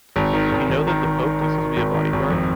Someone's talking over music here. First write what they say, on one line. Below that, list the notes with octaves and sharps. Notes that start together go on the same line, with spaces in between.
Did you know that the pope used to be a bodyguard?
G#1
D#3
G#1
G#1
D#3
D#3
D#3
D#3
D#3
G#1
D#3
G#1
F2